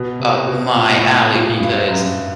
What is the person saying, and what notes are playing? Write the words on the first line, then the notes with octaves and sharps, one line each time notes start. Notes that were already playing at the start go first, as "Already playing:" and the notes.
up my alley," because
Already playing: B2
C3
B2
A#2
A2
A#2
A2
G2
F#2